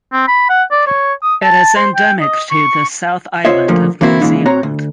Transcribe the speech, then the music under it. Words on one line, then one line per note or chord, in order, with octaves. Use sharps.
It is endemic to the South Island of New Zealand.
C4
B5
F#5
D5
C#5
D#6
A5
C5
G5
D#5
C#6
F4 C5 C#5 D#5 E5
A#2 D3 F3 A3 A#3
E3 A#3 C4 E4 F#4
A#2 C#3 E3 G#3 D#4 E4
C4 F#4 C#5 A#5
D2